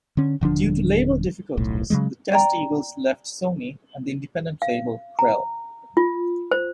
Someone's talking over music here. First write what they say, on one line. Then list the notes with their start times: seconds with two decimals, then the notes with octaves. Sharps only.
Due to label difficulties, the Testeagles left Sony and the independent label, Krell.
0.17 D3 C#4
0.41 D#1 D3 F3 D4
1.57 D#1 B1 A2
1.90 C#3 E3 F#3 G#3
2.32 D5 G5 A#5
4.62 F5
5.19 A#5
5.97 F4
6.51 C5